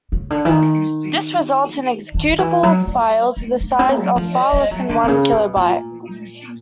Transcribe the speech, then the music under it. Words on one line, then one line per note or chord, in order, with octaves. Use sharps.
This results in executable files with a size of far less than one kilobyte.
C#3
D3
E3
D#3
D#3
D#3
E3
F#3
G3
A3
A#3
C4
F#3
F3
G3
F#3
D3
C3
C#3
B2
A#2